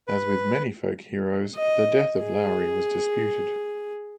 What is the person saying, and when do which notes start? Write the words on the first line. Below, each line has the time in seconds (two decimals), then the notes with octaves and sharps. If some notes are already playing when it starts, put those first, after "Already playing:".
As with many folk heroes, the death of Lowrie was disputed.
0.08 B4
1.55 D#5
2.21 G#4